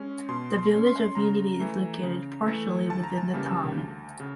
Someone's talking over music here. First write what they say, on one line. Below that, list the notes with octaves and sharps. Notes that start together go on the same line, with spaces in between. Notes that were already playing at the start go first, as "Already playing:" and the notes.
The Village of Unity is located partially within the town.
Already playing: G#3 C#4
B2 C6
C6
G#3 C#4
C6
C#3 A#5
E3 A3
C#3
E3 A3
D2 A5
A#5
A5
C#3 E3 G3 A#3
D2
C#3